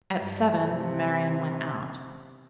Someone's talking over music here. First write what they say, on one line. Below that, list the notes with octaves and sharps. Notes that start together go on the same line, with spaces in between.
At seven, Marian went out.
G2
C3